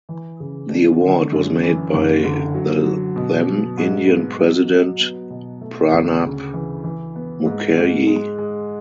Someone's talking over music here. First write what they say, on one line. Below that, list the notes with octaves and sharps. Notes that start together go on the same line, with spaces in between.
The award was made by the then Indian President Pranab Mukherjee.
E3
C#3
D4
D3
F#2
E3
F#1
D3
F#3
F#3
B2
F#3
G#2
B3
F#3
F#3
B3
B2
A3
D2
C#3
E3
E3
B3
G#2
G#2
G#3
G#3